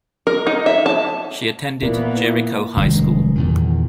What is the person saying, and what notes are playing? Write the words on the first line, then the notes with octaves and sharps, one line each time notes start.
She attended Jericho High School.
A#4
D#4
E5
A5
A#2 E3 A#3 B3
F1 F#2 D#3 G#3
E2 A#2 D#3